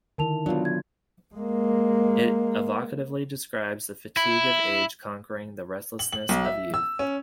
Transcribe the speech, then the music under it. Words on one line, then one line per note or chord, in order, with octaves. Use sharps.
It evocatively describes the fatigue of age conquering the restlessness of youth.
D3 D#3 E4 A#4 A5 F7
B2 F#3 D4 F4
G#6
G#3 A#3
E4
F#7
F#7
B1
E5
E6
C#4